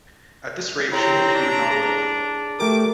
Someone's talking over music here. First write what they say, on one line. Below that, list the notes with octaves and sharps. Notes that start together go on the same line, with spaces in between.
At this rate she knew he would not live.
C4 E4 G4 C#5 A#5
D4
G#4
A3 G4 A#4 D6